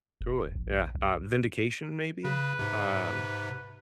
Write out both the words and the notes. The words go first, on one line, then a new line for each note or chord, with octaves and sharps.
Totally. Yeah, um, vindication maybe? Um,
F1
A#1
B1
C#3 B4
G#2 C3